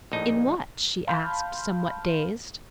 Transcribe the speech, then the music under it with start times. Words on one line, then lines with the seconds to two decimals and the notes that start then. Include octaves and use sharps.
"In what?" she asked, somewhat dazed.
0.12 A#1 A2 D#4
1.07 F5 A5 B5 C6 F6 G6